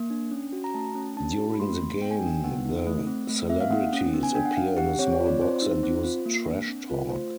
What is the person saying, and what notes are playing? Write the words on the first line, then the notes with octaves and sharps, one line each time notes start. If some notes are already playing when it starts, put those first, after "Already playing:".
During the game, the celebrities appear in a small box and use trash-talk.
Already playing: A#3
D4
C#4
F#4
A#5
A3 A5
C#4
D4 A5
F#4
B5
A3 C6
C4
B3 G5
G#5
G5
D4
B3 F#5
D#4
A3
C4
A3
C4 E5
F5
A#3 F#5
C#4
B3
G#5
D4 G5
F#5
D4 F5
G4 F#5
C4 C#5
C#5
F4
D5
C4 C5
D#4 C5
C4 C5
F4
A#3
D4
C4
F4
A3 C5